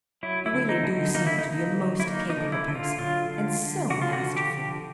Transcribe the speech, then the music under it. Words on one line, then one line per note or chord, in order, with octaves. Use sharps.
You really do seem to be a most capable person--and so masterful!
F#3 E4
E4
D3
D#4
D3
D#4
A#3 D#4
E4
D#4
D3
F#3
E4
A#3 D#4
D#4
D3
E4
D3
F4
F#3 F4
D3
D3
D3 F#4
F4
F#4
F3
G4
D3